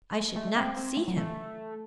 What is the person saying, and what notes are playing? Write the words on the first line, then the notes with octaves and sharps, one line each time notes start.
"I should not see him."
G#3 A3
G#3
A3 C4
C4
A3
F#3
E3 A3